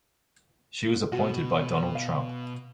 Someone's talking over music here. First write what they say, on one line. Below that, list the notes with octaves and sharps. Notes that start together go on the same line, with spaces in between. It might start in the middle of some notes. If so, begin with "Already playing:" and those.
She was appointed by Donald Trump.
B2 F#4
F5